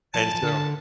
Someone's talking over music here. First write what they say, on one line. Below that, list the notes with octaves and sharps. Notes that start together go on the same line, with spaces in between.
and so
F3 A5
F3
D3